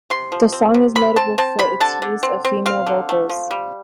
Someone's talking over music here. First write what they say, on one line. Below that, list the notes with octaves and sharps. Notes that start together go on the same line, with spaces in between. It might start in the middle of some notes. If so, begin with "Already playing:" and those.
The song is notable for its use of female vocals.
C3 C6
F3
C4
C3
C3 B5
C4 A5
C4 A5
C3 B5
D3 A5
D3
C4
C4
C4 F5
D3
A3
F3
G3